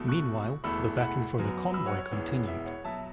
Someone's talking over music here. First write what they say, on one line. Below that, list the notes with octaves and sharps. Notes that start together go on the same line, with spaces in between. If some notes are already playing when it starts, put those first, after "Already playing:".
Meanwhile, the battle for the convoy continued.
Already playing: E2 B2 A3
C#6 F#6
E1 E2 E3 A3 B5 E6
F#5 B5
F#2 F#3 B3
B5 E6
C#5 F#5
C#5
E1 E2 E3 B3
E5
C#5 F#5
B2 F#3 E5 A5